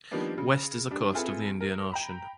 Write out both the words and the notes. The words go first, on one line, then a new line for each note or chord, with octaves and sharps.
West is the coast of the Indian Ocean.
D#3 F3 G3 A#3 B3 D4
C#3
G3 D4
C4 E4 F4 G#4 A4 B4
A#4
G5 A#5 B5